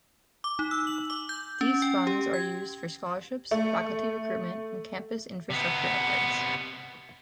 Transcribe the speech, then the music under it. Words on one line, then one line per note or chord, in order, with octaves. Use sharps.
These funds are used for scholarships, faculty recruitment, and campus infrastructure upgrades.
D6
D#4
E6
F#7
D6
G6
C#4
G5
G4
G#6
A3
C3 B3